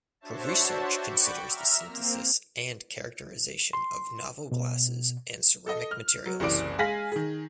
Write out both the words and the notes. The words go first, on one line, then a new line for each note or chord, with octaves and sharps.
Her research considers the synthesis and characterisation of novel glasses and ceramic materials.
D4 F#4 C5 C#5 E5 A5
F#4 D5 G5 B5 C#6 D6
E5 A#5 F6
A#3 C4
C6
B2
A4 D#5
F6
F#3
F#1 C2 E3 D5 D7
G#3 F5 G#5 A#6 B6 F#7
D#3 G#4